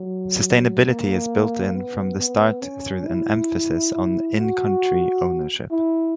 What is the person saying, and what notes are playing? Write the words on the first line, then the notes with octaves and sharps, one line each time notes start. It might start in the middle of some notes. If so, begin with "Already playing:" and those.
Sustainability is built in from the start through an emphasis on in-country "ownership".
Already playing: F#3
A#3
B3
B3
C#4
E4
E4
F#4
E4